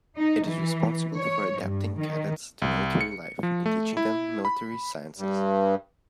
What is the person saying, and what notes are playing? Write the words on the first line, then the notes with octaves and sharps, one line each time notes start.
It is responsible for adapting cadets to military life and teaching them military sciences.
D#4
E3
C#5
G2
D#3
C2
C#7
F3
A3
E4
B5
G2